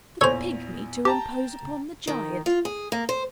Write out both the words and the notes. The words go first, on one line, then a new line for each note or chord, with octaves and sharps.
The pigmy to impose upon the giant.
A#1 E2 A4 C5 C#5 F7
G4 G5 A5 A#5
D#3
F4
G#4
A#3
C5